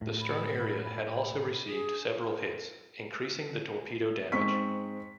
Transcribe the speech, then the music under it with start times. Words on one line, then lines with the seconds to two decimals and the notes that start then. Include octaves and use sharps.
The stern area had also received several hits, increasing the torpedo damage.
0.02 A2
0.20 B5
1.16 B5
1.65 G#4
4.32 G#2 C4 C#6 B6